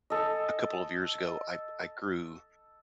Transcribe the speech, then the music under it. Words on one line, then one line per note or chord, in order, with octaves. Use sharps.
a couple of years ago, I I grew
A4 D#5